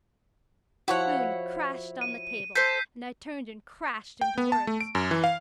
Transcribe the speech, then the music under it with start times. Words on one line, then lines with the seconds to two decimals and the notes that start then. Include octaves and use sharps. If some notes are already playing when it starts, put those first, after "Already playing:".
The spoon crashed on the table, and I turned and crashed into words.
0.88 F3 E4 F#4 C#5 F#5
2.01 D#7
2.55 A4 C5 G6 B6 C7
4.21 G5
4.38 B3
4.52 A5
4.67 A3
4.81 D7
4.95 F#2
5.11 E3
5.24 F5